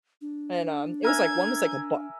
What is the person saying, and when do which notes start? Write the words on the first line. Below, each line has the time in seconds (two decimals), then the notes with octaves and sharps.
and, um, it was, like one was like a b
0.21 D4
1.04 A#4 E5 G#5 G#6